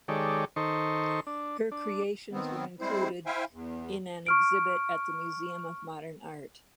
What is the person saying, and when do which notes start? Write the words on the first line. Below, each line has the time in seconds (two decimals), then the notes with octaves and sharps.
Her creations were included in an exhibit at the Museum of Modern Art.
0.08 D#3 G#3 G4 A4 C#5 D5
0.56 D#3 D#4 A4 C5 C#6
1.27 D4
1.72 D4
2.32 D#3 B3 C4
2.80 G3 G#3 C4 E4 C5
3.26 E4 C5 E5 F5 G5 G#5
3.52 E2
4.26 C#6 F6 D7